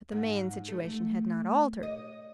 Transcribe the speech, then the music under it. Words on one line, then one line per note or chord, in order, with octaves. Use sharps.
But the main situation had not altered.
G#2
A3
D#5